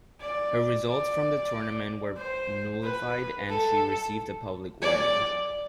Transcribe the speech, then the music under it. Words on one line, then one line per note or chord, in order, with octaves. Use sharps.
Her results from the tournament were nullified and she received a public warning.
D5
D5
C5
B4
A4
D5